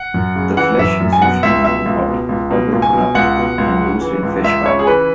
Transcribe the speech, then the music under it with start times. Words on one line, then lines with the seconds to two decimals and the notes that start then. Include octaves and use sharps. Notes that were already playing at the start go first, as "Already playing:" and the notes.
The flesh is usually eaten hot, or broken up and used in fish pie.
Already playing: F#5
0.14 F#2
0.36 C#3
0.57 E3 F#5
0.78 F#2 E5
1.00 F#2
1.13 G#5
1.22 B2 F#5
1.43 C#2 E5
1.65 B2 E5
1.85 C#2
2.08 B2
2.29 C#2
2.51 B2
2.72 C#2
2.82 G#5
2.93 B2
3.15 C#2 F#5
3.37 B2
3.58 C#2
3.80 C#3
4.01 E3
4.23 C#2
4.44 C#2 E5
4.66 C#3 C#5
4.79 G#4
4.87 E3 B4